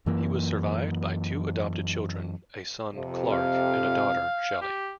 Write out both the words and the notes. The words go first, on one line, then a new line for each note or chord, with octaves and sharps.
He was survived by two adopted children, a son, Clark, and a daughter, Shelley.
F#2 E3 A#3
F2 C3
F5
G4